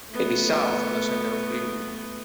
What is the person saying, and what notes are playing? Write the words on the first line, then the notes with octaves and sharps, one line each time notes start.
It is south of the center of Greenville.
A3 B3